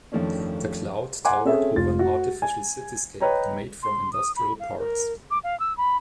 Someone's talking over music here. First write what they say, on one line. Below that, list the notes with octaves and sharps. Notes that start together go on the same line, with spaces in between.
The cloud towered over an artificial cityscape made from industrial parts.
F2 D#3 F3 A3 C#4 D4
F#5 G#5 A#5 C6 D6
C4 C#4 G#4 A4 E5
F1 F4 A6
F#4
G#5
B4 C#5 D#5 G5 A#5
C6
D#6
B5
F5
A#4
D6
F5
E6
B5